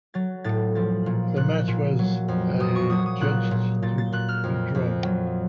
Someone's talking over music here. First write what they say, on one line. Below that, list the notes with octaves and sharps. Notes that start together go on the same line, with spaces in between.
The match was adjudged to be drawn.
F#3 A6
A2 A6
F3 A6
A#2
A#2 F#6
A#2
F#3
F2
A#2 D#6
C#6
F#3 D#6
D#6
A#2 F#6
A#2
A#2 A6
A6
A#2 F#6
F6
F2
F2
F#3